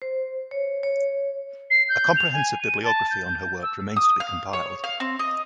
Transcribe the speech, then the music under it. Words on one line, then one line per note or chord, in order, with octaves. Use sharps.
A comprehensive bibliography on her work remains to be compiled.
C5
C#5
C#5
C7
G6
F7
G#5
D#7
A5
G6
E6
D#6
F5
C#5
F5
C4
D#5